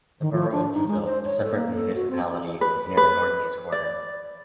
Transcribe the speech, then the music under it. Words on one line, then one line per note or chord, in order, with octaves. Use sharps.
The borough of Newville, a separate municipality, is near the northeast corner.
D#3
F3
D4
D#4
G#3
C5
C#5
A4
A#3
A4
F#4
C4
B4
B4
D5